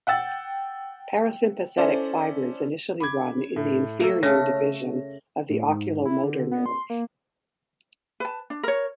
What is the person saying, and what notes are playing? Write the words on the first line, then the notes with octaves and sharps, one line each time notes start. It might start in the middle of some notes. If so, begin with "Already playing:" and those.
Parasympathetic fibers initially run in the "inferior division" of the oculomotor nerve.
F#5 G5 E6 A6
C#4 E4 A4 C5 D5
B5 D6 G#6
A2
A3 A#3 A4
C#3 A3 A4 C#5 A#6
A2
G#2
E4
D3
B3
C6
A#3
B4 A5
D4
A#4 C#5